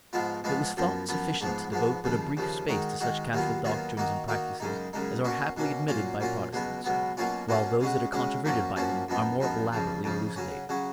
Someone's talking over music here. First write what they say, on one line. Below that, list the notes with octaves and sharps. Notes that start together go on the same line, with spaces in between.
It was thought sufficient to devote but a brief space to such Catholic doctrines and practices as are happily admitted by Protestants, while those that are controverted by them are more elaborately elucidated.
G#2 F3 G#3 B3 F4
G#2 F3 G#3 B3 F4
F#2 F3 B3
F#2 F3 B3
G#2 F3 B3
G#2 F3 B3
D#2 C#3 F3
D#2 C#3 F3
D#3 G#3 D#4 F#4
D#3 G#3 D#4 F#4
D#2 D#3 F#3 B3 F4
D#2 D#3 F#3 B3 F4
D#3 A#3 D#4 F#4
D#3 A#3 D#4 F#4
F#2 C#3 G#3 D#4
F#2 C#3 G#3 D#4
B2 A#3 C#4 F#4
B2 A#3 C#4 F#4
A#2 F#3 C#4 F4
A#2 F#3 C#4 F4
C#2 B2 F#3 B3
C#2 B2 F#3 B3
B2 F#3 A#3 C#4 F4
B2 F#3 A#3 C#4 F4
C#3 G#3 C#4 F#4
C#3 G#3 C#4 F#4
F#2 F3 A#3 C#4 F#4
F#2 F3 A#3 C#4 F#4
F#2 F3 B3 D#4
F#2 F3 B3 D#4
F2 C#3 F3
F2 C#3 F3
C#3 F#3 C#4
C#3 F#3 C#4